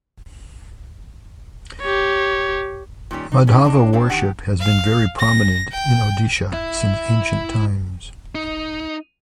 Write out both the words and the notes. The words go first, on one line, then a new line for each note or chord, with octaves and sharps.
Madhava worship has been very prominent in Odisha since ancient times.
G4 C#5
A#2 D#3 G3 C#4
D#4
C#4 D#4
A#3 C4 D4 D#4
G#2 C4 D4
D#3 G4 F#5
F5
A#6
G5
E4 E5
D#4